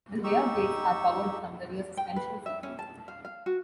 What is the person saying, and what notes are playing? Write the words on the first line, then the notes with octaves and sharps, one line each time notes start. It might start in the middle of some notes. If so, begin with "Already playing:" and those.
The rear brakes are powered from the rear suspension circuit.
D#4 G4 C#6 E6
G5
B4
E5
C#4
A5
F5
F5
F#4